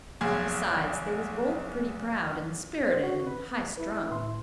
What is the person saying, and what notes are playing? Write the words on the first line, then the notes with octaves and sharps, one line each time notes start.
Besides, they was both pretty proud and sperrited and high-strung.
F1 B1 G#4 G#6
C5
F#4
B4
E4 B4
A2 B4 C6